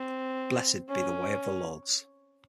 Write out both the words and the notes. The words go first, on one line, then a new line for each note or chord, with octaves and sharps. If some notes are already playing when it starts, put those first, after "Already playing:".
Blessed be the way of the Lords.
Already playing: C4
C#4